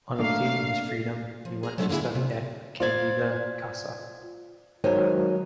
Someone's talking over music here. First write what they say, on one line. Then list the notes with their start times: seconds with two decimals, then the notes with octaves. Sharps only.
On obtaining his freedom, he went to study at Candida Casa.
0.19 A3 A#3 D4 F5
1.45 F3
1.63 G#4 A#5
1.78 F#3 G#3 A3 C4 D4 F#4
1.89 D3 A#3 B3 E4 G#4
2.04 C#3 F#3 A3
2.15 C3
2.80 F4 C5 D5 F5 G#6
4.84 D#3 F#3 G#3 C5 C#5 G#5